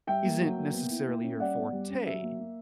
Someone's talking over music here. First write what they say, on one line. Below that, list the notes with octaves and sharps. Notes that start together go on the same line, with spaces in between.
isn't, necessarily, your forte.
G3 E5 G5
A#3
F#3
A#3
B3
E4
A#3
C#4
G3 D5 F#5
B3
G3
C#4
F#3 E5
A#3
A#3